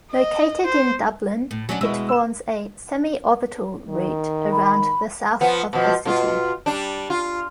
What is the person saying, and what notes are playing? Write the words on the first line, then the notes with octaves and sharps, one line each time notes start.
Located in Dublin, it forms a "semi-orbital" route around the south of the city.
D#5
C5
A2
F#3 C#4 D4 G#5
B2 G#3 E4 E6
E6 E7
D#3
B5
F3 B3
B2 F3
B2 F4
G3 D4
F4